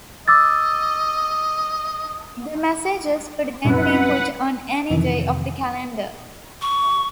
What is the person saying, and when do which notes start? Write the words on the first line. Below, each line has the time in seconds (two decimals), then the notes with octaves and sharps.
These messages could then be put on any day of the calendar.
0.28 D#5 D6 E6 A6
3.65 C2 F#2 B4 F#5
4.90 F2 C3 D#3 E3
6.62 C#6